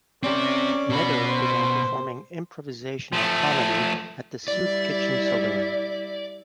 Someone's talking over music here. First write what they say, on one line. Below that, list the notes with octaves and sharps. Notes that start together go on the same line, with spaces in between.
Meadows began performing improvisational comedy at the Soup Kitchen Saloon.
C4 C#4 G4 D5
B2 B5
C5
F3 A3
G3 E4 D5